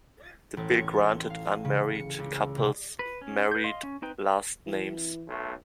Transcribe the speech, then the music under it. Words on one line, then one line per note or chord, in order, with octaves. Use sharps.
The bill granted unmarried couples married last names.
A1
C#7
F5
D#7
C#3
C#7
C#2
C3
B4
C#4
B4 G6
D#5 F5 C6
C#4
C4 D#4 B4 G5
E3
B1 A3